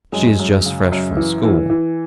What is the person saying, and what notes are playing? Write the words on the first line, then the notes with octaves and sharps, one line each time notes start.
"She is just fresh from school."
F#2 G#3
F#2
C#3
F#2
E3
E3
E3